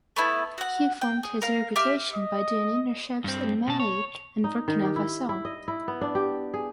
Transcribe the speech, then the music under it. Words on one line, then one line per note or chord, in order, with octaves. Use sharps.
He formed his reputation by doing internships in Mali and Burkina Faso.
A3 B3 E4
F#4 F#5
G5
G#4
A#4 F5
G4 E5 F6
D#5
G2 C4
B2 A5
C#5
D#4
D#3
G4
E4
E4
D#5
E4
B3
D4
G4
G#4